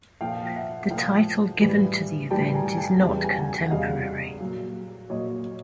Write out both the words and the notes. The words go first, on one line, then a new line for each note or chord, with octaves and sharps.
The title given to the event is not contemporary.
A#2 F3 F5 G5
E5 F#5
A#2 F3 F5 G5
A2 E3 G3
A2 E3 G3 G5 A5
G#5 A#5
G#5
G5 A5
E2 C#3 E3 G3 G5 A5
G#5
G5
F#5 G#5
F#5
E2 C#3 E3 G3 D#5 F5
A#2 F#3
A#2 F#3 C#5 D#5